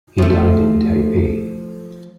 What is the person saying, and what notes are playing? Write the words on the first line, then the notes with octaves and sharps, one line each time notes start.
He died in Taipei.
F3 A3